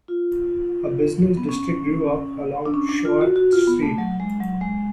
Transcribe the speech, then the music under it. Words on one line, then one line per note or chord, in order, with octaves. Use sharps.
A business district grew up along Choate Street.
F4
B3
C#4
D4
C#4
D4
F4
F#4
F#4
F4
B3
A3
F#3
G#3
F#3
G#3